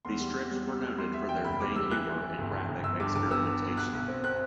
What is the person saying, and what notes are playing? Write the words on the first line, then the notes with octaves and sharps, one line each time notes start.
The strips were noted for their fey humor and graphic experimentation.
E2 C6
G3
E2
G3
G3
G3
G3 C6
E2 E5
E2 G5
F#1 B5
G3 D6
G3 E6
E3 F#6
E3
E3
G1
G1
G1
G1 E6
G2 D6
G1 D6
B3 E6
B3
B3
B2 F#6
B1
C4
C4 F#6